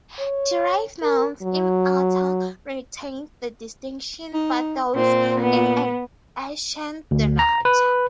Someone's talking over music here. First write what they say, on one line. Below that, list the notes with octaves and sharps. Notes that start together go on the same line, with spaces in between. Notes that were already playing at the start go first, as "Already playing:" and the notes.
Derived nouns in "-ator" retains the distinction, but those in "-ation" do not.
C#5
A#4
F#3
D#4
A#2 C4
B3
D2
A#5
B4